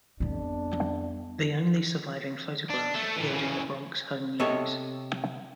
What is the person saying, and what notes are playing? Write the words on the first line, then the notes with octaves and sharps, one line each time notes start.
The only surviving photograph appeared in the "Bronx Home News".
F2 G3 B3 D4
D4
A3 A4
A#2 E3
C#3 E3
C3 A4 C#5 D#5